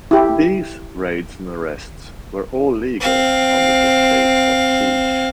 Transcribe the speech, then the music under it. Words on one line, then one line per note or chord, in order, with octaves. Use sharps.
These raids and arrests were all legal under the state of siege.
E4 G4
C4 F5